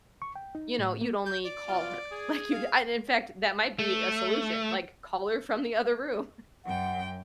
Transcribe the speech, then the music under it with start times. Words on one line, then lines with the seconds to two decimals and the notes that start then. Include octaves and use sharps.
you know, you'd only call her. Like, you'd and in fact, that might be a solution, like, call her from the other room,
0.22 C#6
0.36 G5
0.55 D#4
0.79 A2
1.01 A#3
1.26 G6
1.44 D5
1.67 B2 F4
2.12 G#4
2.51 F5
3.79 A3
6.65 F#2 F#5 G5